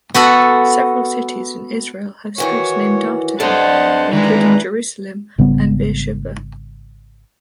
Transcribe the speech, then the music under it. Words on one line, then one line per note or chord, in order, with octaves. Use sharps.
Several cities in Israel have streets named after him, including Jerusalem and Beersheba.
B3 F#4 A4 F#5
D#3 E3 F#4 C#5
G2 A3 D4 A4 C5 D#5 F#5 A5
D#3 E3 G#3 B4 A#5
G#1 C#3 G3 B3